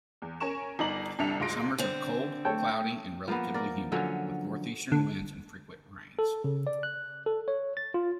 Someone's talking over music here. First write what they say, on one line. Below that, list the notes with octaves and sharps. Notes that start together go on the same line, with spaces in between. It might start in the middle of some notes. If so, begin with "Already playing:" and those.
Summers are cold, cloudy and relatively humid, with northeastern winds and frequent rains.
E2
C#4 A#4 G#5 C#6 E7
G1 D#4 D5 A#5 F#7
G1 C2 D4 E5 C#7 F7
D2 G#2 F4 C6 A#6 D7
D3 C4 C#5
A3 A4 C#5 G5 A5
F3 A#3 B3
A#4 D5
D3 F3 F#3 C#4
D3
A4
C#3
D5
F#6
A4
C#5
A6
F4